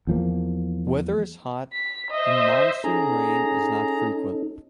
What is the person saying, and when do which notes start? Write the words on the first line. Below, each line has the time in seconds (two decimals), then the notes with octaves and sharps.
Weather is hot and monsoon rain is not frequent.
0.07 E2 F3 A#3
1.73 B6
2.11 C5 D#5 E5
2.84 C#4 D#4 G#4 A4 A#5